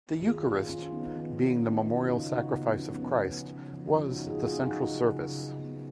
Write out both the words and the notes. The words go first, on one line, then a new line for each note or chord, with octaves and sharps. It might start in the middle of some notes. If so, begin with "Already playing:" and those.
The Eucharist, being the memorial sacrifice of Christ, was the central service.
D#3 F4 G#4
A#3 F4 G#4
D#3 C#4 F4
D#3 B3 D#4
D#3 B3
D#3 C#4
A#3 B3 D#4
D#3 C#4 F4
F4
C#3 D#4 F#4
C#3 D#4 F#4
C#3 B3
F3 C#4
B3
C#3 C#4
B3
C#3
F3
C#3 C#4 F4
D#4 F#4
B3
F4 G#4
F#4
B3 F4 G#4
F#3 D#4 F#4
C#3
C#3
C#3
B3